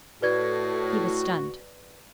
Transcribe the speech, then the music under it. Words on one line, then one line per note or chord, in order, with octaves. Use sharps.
He was stunned.
A2 F#4 B4 D5 G#6